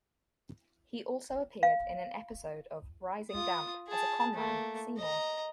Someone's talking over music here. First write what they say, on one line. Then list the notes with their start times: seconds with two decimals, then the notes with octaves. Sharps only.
He also appeared in an episode of "Rising Damp" as a conman, Seymour.
1.63 F5
3.31 F4 D#6
3.88 G#4 A5
4.34 A3 A#3
4.97 D#5 A#5